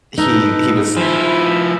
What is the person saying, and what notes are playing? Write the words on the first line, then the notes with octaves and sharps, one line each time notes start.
he he was
D#4 A4 B4 D#5
F3 E4 G#5 B5 E6